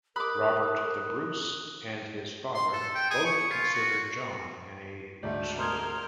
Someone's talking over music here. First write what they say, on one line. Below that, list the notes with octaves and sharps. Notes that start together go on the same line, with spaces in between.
Robert the Bruce and his father both considered John a usurper.
A#4 B5 D6 D#6 F#6
C6
A4
G5
G#4
C#6
F4
F#4
D2 G#2 A3 D5 G6
A#4 C6 D#6 F6 G6 G#6 F7